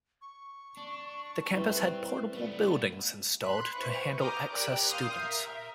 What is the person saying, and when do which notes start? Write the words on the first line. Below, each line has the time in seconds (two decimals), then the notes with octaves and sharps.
The campus had portable buildings installed to handle excess students.
0.22 C#6
0.77 D4
1.53 G3 C4 E4 B4 C5
2.34 A3 B3 D5
3.42 B5 C6 F#6
3.76 E4 B4 C5 C#6
4.18 A#5 D6 D#6 F6 G6
4.51 G4 A#4 D5 F#6 D7
4.88 F5 C6 D#6 F6 G6 C7
5.18 A#4 E5